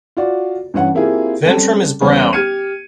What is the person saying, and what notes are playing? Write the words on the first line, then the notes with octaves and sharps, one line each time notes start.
Ventrum is brown.
F4 F#4 D5
G2 E3 C#4 F#5
A#3 C4 E4 F4 G4 G#4
G3 C4 C#4 A4
E1 G3 B3 C#4 C5 C#5
G4 F6 G#6 C#7 D#7